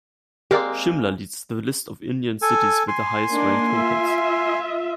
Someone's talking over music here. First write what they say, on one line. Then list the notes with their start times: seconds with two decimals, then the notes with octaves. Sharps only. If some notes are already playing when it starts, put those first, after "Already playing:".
Shimla leads the list of Indian cities with the highest ranked hotels.
0.51 G#3 A#3 C4 G4 A#4 D5
2.42 A4 G#5
2.88 G#5 C6
3.32 A#3 D4 D#4
3.72 F4 E5